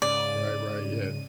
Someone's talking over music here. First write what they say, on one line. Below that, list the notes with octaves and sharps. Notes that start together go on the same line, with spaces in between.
Right, right, yeah,
G#2 C#3 D5 D#7